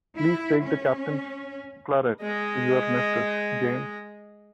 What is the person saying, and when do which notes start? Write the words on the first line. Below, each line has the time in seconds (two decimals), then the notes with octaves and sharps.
Please take the Captain's claret to your mistress, James!
0.17 E4
0.63 C#4
2.21 G#3 D#5